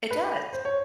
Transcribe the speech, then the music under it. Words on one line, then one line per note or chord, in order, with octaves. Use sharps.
It does.
B4
C5
C#5